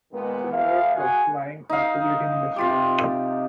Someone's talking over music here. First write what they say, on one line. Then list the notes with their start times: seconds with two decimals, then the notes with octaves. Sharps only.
Similar for flying, or polluting industries.
0.12 A#2 D#3 G#3 B3
0.51 D#2 E5 F5
0.94 F#4 G#4 F#5 G#5
1.69 D#4 F5
2.56 C3 F4 G4